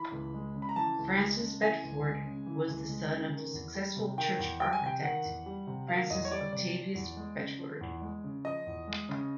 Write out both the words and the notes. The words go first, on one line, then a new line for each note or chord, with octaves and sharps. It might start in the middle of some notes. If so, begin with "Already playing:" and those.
Francis Bedford was the son of the successful church architect Francis Octavius Bedford.
Already playing: E3 B5
C#2
G#3
C#3
B5
A#5
E3 A5
C#2
G#3
C#3
E3 G#5
C#2
G#3
C#3
E3
C#2
G#3
C#3
D#3
E2
G3
C3
D#3 G5
E2
G3 G5
G#5
C3 G5
D#3 F#5
E2
G3
C3
D#3 F5
E2 D#5
C#5
G3 D5
C3 D5
F3
E2
G#3
C#3
F3
E2
G#3
C#3
F3 D#5
E2
G#3
C#3